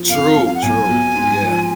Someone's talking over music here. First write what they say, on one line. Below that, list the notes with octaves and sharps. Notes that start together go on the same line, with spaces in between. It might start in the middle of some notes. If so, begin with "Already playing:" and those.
True, true. Yeah.
Already playing: F3
F1 F5
F2
F5
F#5
B1 G#5
B2
G#2
F3